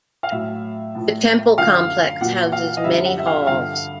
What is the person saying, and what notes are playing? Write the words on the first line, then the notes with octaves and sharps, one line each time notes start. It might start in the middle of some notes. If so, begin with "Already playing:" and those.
The temple complex houses many halls.
F5
A2 F#3 E5
A2 F3
F#2 D3 F3 F5
A#2 F#3 F#5
F5
D#5
F#2 D3 G3 E5
F#5
E5
F5
G2 D3 F3 F5